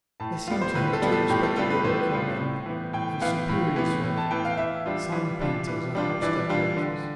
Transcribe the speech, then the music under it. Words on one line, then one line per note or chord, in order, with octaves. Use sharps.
They seemed to him two respectable working men of a superior sort--sign painters or house decorators.
A2 A5
G3 B3 F4 F5
C5
A2 B4
A4
G3 B3 F4
A4
A2 G4
A4
G3 B3 F4 A4
B4
A2 C5
G3 B3 F4
A2
E3 B3
A2 G5
E3 B3 F5
A2
E3 B3
A2
A5
E3 B3 G5
F5
E3 E5
G3 D4 F4
E3
G3 D4 F4
E3
G3 D4 F4
E3 D5
G3 D4 F4
D3